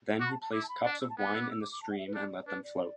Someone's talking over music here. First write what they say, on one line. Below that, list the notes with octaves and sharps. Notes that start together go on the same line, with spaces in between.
Then he placed cups of wine in the stream, and let them float.
F#4 D6
B5
A5
A5
E4 D6
A5
B5
D4 F#5
D5
E6
A5
B3 F#5
D6
E6
D6
E6
D6
D6
A5
F#5
E5
B4
D4 D5
D5
D4 B4
D5